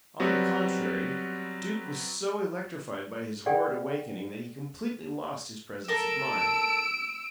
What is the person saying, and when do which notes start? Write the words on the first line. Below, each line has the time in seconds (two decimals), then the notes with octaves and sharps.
On the contrary, Duke was so electrified by his horrid awakening that he completely lost his presence of mind.
0.20 F#3 G3 B3 C4 F#4
3.46 G#4 A4 D5 F#5 G5
5.88 A4 A#4 E6 D7